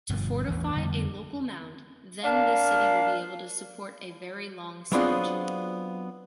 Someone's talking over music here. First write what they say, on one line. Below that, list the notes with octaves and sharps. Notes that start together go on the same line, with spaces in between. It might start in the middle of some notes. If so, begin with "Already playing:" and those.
To fortify a local mound, then this city will be able to support a very long siege.
G1 G2 B2 F3
A1 E2 E3
F2 D3 G3 B3
A#3 D4 F5
F#3 B3 C4 D4 F4 G#4